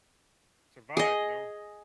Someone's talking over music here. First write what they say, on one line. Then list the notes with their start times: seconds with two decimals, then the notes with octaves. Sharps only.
survive, you know?
0.97 G#4 D#5